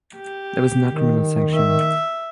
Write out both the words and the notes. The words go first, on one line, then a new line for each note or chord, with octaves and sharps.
There was no criminal sanction.
G4
D#3
E5